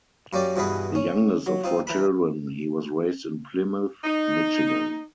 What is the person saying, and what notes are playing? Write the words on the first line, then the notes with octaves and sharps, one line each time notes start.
The youngest of four children, he was raised in Plymouth, Michigan.
F#2 A#3 C#4 G4 D5 G5
G2 B2 E3 B3 G#4 B4
C#4
F#3
C4 D#4 F4
E3 A#4 B5
D#4